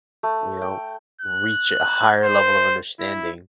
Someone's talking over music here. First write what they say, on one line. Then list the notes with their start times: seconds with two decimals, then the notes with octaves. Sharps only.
you know, reach a higher level of understanding
0.23 A3
0.61 G5
1.22 F#6
2.24 C5
3.00 E4